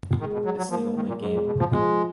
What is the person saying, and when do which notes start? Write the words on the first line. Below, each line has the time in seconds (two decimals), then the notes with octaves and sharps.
It's the only game.
0.19 D#3 G#3
0.33 B2
0.45 F#3
0.58 F#3
0.70 F3 A#3
0.96 D#3
1.08 A#2
1.21 G#2 G#3
1.34 A#2
1.46 B2
1.59 F3
1.71 F3 G#3